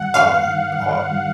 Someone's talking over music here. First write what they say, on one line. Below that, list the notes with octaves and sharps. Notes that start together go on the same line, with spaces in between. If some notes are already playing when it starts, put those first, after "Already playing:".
um, uh,
Already playing: G2 D#3 G3 F#5
G2 F5
D#3 G3
G2
D#3 G3